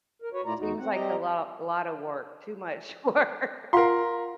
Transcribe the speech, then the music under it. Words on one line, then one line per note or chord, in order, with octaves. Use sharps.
seems like a lot a lotta work, too much work.
A#4
F#4 B4 C#5
A#2 A3 E4 F4 D5 A#5
E2 D#4 F#4
C4 F#5
G3 C4 G4 D#5 A#5
F4 A#4 F5 F#5 C6